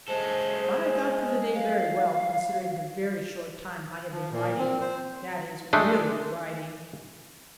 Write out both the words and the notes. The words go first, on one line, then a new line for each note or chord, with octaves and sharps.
But I got through the day very well, considering the very short time I have been riding--that is, really riding.
G#3 A4 C5
F5
F3
A#2
C4
C5
G#3 A3 D4